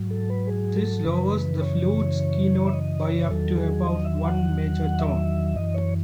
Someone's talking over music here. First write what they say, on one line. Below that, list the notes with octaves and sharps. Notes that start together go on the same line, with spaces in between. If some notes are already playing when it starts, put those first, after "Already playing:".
This lowers the flute's keynote by up to about one major tone.
Already playing: G#2 F#3
A4
B4
G#4
A4
F#2 C#3 E3 B4
C#5
E5
D#5
C#5
E2 D#3 F#3 A4
G#4
D#5
E5
F#5
E5
F#2 E3 D#5
C#5